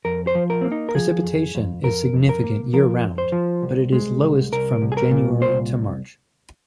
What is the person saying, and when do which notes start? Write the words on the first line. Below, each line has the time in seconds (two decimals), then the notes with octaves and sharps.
Precipitation is significant year-round, but it is lowest from January to March.
0.05 F2 A#4
0.27 C5
0.35 F3
0.50 A#4
0.61 A#3 C4
0.72 D#4
0.89 A#4
0.95 F3 G#4
1.24 F2
1.55 F2
1.83 F2 A#4
2.13 F2
2.29 A#4
2.44 A#3
2.73 F3 A#4
3.04 F2
3.18 C5
3.32 F3
3.62 C2
3.93 G#3
4.23 C2
4.52 C2 A#4
4.82 C2
4.92 G#4
4.97 A#4
5.11 A#2
5.41 C2 C5